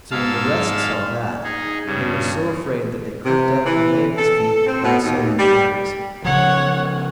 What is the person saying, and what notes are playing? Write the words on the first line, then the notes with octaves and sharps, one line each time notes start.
So when the rest saw that, they were so afraid that they crept up and lay at his feet like so many curs.
G#2 F5 A5 E6
D#4 G#4
G2 C#3
C3
E3
A4
C4
B2
D#2
G3
C#3 F3 C#5 F#5